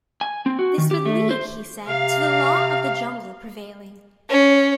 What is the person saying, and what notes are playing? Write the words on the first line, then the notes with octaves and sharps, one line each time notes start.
This would lead, he said, to the law of the jungle prevailing.
G#5
C4
F#4
D#3
G4
A3
C5
C3 F5
C#4